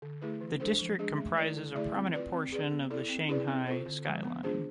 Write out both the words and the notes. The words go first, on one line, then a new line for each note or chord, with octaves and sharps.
The district comprises a prominent portion of the Shanghai skyline.
D3
A3 E4 G#4 B4
E3
G#3 D4 A4 C5
F3
G#3 D4 G#4
A3
E4 B4 D5
D3
A3 E4 G#4 D5
C4
F4 B4 D5
C4
G#4 B4 D5
B3
E4 A4 D5
C4
E4 G#4 B4 D5
C4
F4 A4 C5
D3
F3 G#3
B3
D4 F4 G#4 C5